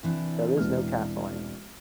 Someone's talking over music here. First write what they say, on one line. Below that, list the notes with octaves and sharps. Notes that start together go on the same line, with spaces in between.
There is no castling.
C3 E3 D4
E1 B4 F6